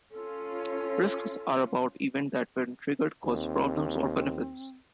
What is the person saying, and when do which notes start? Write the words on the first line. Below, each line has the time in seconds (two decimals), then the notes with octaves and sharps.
Risks are about events that, when triggered, cause problems or benefits.
0.11 C#4 F4 A4
3.24 D#2 C4